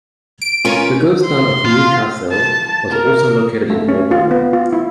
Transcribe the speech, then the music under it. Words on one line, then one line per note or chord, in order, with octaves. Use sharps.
The ghost town of New Cassel was also located in Auburn.
D7
C#4 F4 A#4 B4 G#5 C#6
C6
F4
A5
A#4
A3
C#4
F4
B3
F4
E4